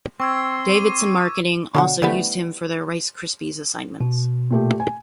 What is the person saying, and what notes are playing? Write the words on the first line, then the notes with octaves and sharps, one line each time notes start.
Davidson Marketing also used him for their Rice Krispies assignments.
C4 C6 C#6 E6 G#6
D6 D#7
B2 D3 F#3 D4 F4 F#5
D3 E3 F3 G3 A3 B3
B2
A#2 A3 G4
G#5